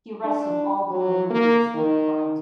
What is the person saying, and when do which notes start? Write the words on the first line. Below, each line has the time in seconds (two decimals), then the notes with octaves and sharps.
He arrested all political leaders that he could find.
0.24 D4
0.90 F#3
1.30 A#3
1.75 D#3